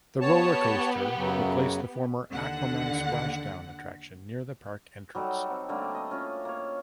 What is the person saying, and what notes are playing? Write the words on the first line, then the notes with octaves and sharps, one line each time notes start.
The roller coaster replaced the former Aquaman Splashdown attraction near the park entrance.
B3 G4 C#5 A5
F#2 C#3 F#3
D#2 D3 F#5
F#3 G3 D#4 A4
C4 F#5
D3 G3 A3 A#3
D#5
C#4 F4
A#3 C#5